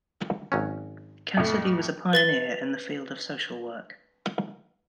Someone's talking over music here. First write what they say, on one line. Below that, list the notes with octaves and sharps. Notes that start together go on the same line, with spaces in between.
Cassidy was a pioneer in the field of social work.
G#1 F#3 C#4
F2 A2
B4 A6 G7